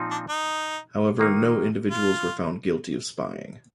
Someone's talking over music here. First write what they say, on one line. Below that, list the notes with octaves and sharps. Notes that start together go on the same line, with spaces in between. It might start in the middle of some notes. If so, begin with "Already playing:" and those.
However, no individuals were found guilty of spying.
Already playing: A#2 F3 C4 D#4
D4
D#4
D#3 A#3 D#4
F4